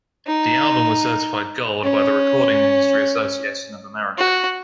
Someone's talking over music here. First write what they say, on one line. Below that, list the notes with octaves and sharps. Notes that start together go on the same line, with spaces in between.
The album was certified gold by the Recording Industry Association of America.
D#4
C#4
F#4